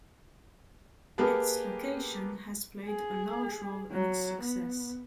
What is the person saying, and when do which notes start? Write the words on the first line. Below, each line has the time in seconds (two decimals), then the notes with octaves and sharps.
Its location has played a large role in its success.
1.18 A#3 G4 G#4 A#4 B4 A5
2.86 G#4
3.91 F#3
4.42 B3